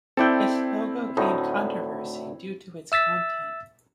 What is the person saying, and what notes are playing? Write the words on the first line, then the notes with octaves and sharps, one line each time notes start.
This logo gained controversy due to its content.
C4 E4 A4 D5 G5 G6
D2 A2 D#4
E5 E6 A6 B6